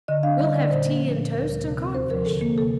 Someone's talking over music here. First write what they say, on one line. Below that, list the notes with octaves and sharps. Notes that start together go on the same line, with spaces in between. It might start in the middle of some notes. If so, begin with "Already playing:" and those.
"We'll have tea and toast and codfish."
D3 D#5
D4 F5
G3 D#5
D3 D5
A#2 C5
A#3
F3
A#2
D2 A#4
G3
C3
C4
D#2 C5
F3 A#4
D3 A4
A#3
C3 A4